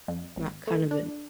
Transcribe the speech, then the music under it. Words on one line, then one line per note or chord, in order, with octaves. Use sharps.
Matt Canavan.
F2
G#1
A3
D4